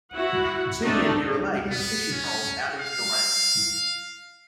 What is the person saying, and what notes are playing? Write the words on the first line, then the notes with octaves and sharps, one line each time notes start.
Two men near a lake with fishing poles out into the lake.
E4 F#4 F#5
A3 C4 D4 D#4 A4
B3
C#4
F5